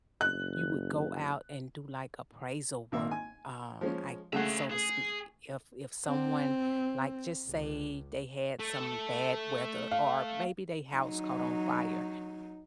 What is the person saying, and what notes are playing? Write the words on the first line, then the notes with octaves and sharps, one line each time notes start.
you would go out and do, like, appraisal work, um, I so to speak. If if someone like, just say they had some bad weather or maybe they house caught on fire
F#1 F#6
G#1 A#3 E5
G#5
F3 G#3 C#4
C#3 A3 G#4 E5 F#5
G#4
C4
C#2
A3
F5
F#3 D#4